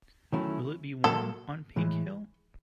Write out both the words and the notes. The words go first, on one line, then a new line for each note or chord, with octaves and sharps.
Will it be warm on Pink Hill?
D#3 F#3 A3 C#4 E4
A#2 F#3 A#3 A4
A2 E3 G#3